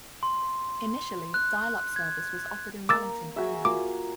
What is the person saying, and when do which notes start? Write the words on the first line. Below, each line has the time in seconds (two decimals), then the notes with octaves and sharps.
Initially, dialup service was offered in Wellington only.
0.23 C6
1.34 F#6
1.96 G#6
2.89 A#3 A#5 D6 E6 A6
3.36 F#4 G#4 E5
3.65 A#3 F4 D6